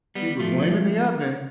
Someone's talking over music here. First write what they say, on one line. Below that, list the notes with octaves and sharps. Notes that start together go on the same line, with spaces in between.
see, we're blaming the oven.
G3 B3
F3 A3